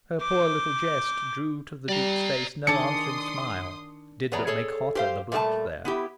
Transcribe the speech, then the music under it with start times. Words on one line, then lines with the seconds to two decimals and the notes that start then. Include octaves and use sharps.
Her poor little jest drew to the Duke's face no answering smile, did but make hotter the blush there.
0.21 D6 G6
1.89 G3 D5 A#5
2.67 D#3 D4 G#4 A4 D5 C6 D#6 C#7
4.32 E2 B3 G#4 C#5 D5 A#5
4.47 G#4 A4 C#5
4.95 G4 C5 F5
5.32 A#2 G3 A3 A4 A5
5.85 B3 E4 G4